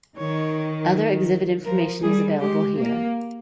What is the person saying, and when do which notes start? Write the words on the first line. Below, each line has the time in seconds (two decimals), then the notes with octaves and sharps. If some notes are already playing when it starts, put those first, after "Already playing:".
Other exhibit information is available here.
0.17 D#3 C#5
1.65 F3 A#4
2.03 G3 G#4
2.40 G#3 G4
2.77 A#3